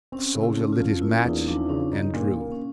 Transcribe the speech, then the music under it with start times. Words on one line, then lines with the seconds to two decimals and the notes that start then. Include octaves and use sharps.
The soldier lit his match, and drew.
0.12 C4 C#4
0.35 C#3
0.43 E4
0.57 A3
0.73 F4
0.80 F3
1.02 A#3 E4
1.24 E2 D#4
1.48 F3 D4
1.69 C#3 C#4
1.93 D#4
2.14 A#2
2.37 A#3
2.52 C#4